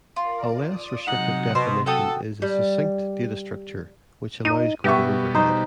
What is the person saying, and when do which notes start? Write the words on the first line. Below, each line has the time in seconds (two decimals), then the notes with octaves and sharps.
A less restrictive definition is a succinct data structure, which allows greater overhead.
0.16 F4 A#4 D5
0.66 D5 D#6
1.08 C3 F#3 G#3 D#4 F#5
1.55 B2 C5
1.86 F#4 A4 G5 D#6
2.42 G3
4.45 D#4 D#7
4.84 B2 G3 B3 G4 E5 C#6
5.35 D#4 C5